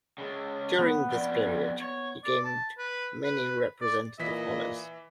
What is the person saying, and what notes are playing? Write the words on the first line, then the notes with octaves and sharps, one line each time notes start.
During this period, he gained many representative honours.
C#3 G#3
B3
F2 G3
C#5
D5
A5
B4
B4
D5
A#2 E3 D#5 B6